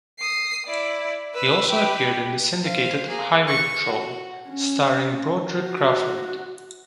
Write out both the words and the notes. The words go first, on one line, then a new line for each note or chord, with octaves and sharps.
He also appeared in the syndicated "Highway Patrol" starring Broderick Crawford.
D#6 C7
E4 D5
B4 E6
G4 B4
C4 F5
A#3 G#4
C#6
F#4
C#4
F#4